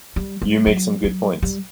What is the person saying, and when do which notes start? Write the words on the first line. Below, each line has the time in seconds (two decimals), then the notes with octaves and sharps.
You make some good points.
0.16 G3
0.42 G3
0.67 F#3
1.04 F#3
1.43 G3